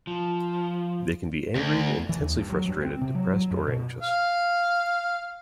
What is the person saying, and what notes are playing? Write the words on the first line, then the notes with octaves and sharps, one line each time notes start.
They can be angry, intensely frustrated, depressed, or anxious.
F3
D2
E3
D#2
G2
F#3
G2
C4
C3
F#3
F#3
F#2
B2
F5